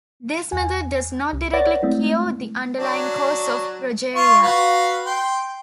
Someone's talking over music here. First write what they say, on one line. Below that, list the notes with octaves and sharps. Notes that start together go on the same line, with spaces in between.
This method does not directly "cure" the underlying cause of progeria.
E2 G#5
C2
B4 C#5 D5 F#5 A6 A#6
G#3 A3 C4 E4
F#3 D4
F4 C#6
F#4 B4 F5
G5 C6